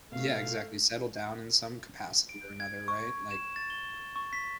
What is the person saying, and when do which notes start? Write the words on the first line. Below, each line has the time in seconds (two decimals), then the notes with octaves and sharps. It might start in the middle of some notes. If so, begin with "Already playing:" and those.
Yeah, exactly. Settle down in some capacity or another, right, like
0.12 B2 A3 F5
2.29 D7
2.60 G#6
2.88 C#6
3.31 E7
3.56 A6
3.70 G7
4.16 C#6
4.33 B6